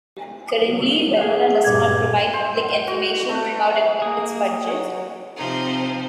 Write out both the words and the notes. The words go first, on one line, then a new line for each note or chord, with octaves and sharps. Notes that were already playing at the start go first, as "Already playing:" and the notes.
Currently, Bellona does not provide public information about its budget.
G#4
G2 A#2 D6 G#6
C5
F#4
A3
A#3 G#4
F#3
C3 F3 C4 D#4